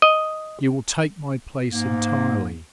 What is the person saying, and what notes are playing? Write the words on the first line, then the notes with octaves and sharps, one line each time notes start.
You will take my place entirely.
D#5
G#2 A#3